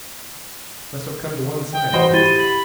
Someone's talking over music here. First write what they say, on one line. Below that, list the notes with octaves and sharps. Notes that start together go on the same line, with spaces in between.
"Must have come to one side," he reasoned.
G5
E3 F#4 C5 D#5
E4 G4 A6 D#7 G7
B5